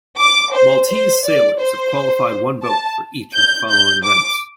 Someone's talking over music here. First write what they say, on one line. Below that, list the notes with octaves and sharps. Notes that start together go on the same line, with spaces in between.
Maltese sailors have qualified one boat for each of the following events.
D6
C5
C5
D5
C5
A5
G6
G6
D6